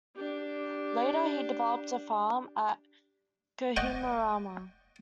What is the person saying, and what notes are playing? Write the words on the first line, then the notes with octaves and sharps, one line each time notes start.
Later he developed a farm at Kohimarama.
D4 G4
D5 D#5 F#5 G5 C#6